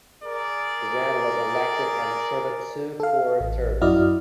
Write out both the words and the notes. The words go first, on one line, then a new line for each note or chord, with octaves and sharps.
Grant was elected and served two four-year terms.
G#4 A#4 D5
A4 F5
A1
F#2 E4 F#4 D5 D#5 F6